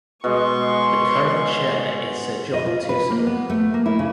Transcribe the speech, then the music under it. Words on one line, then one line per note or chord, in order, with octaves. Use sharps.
The current Chair is Sir John Tusa.
B2 G#3 C6 C#6
D#5
F4
B4
A#3
B3
A3
A#3
E4
C#3